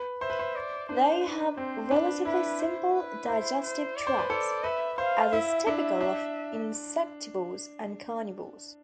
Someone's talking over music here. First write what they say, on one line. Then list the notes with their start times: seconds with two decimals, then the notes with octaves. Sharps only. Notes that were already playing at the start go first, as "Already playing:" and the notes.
They have relatively simple digestive tracts, as is typical of insectivores and carnivores.
Already playing: B4
0.21 C5 E5
0.30 B4
0.39 C5
0.56 D5
0.89 D4 C5
1.24 B4
1.58 C4 C5
1.91 D4 B4
2.25 E4 B4
2.60 C5
2.94 B4
3.28 E4 C5
3.63 C5
3.96 D5
4.07 C5
4.18 B4
4.30 A4 D5
4.64 B4 E5
4.98 C5 F5
5.32 E4 E5
5.67 D4 E5
6.01 D4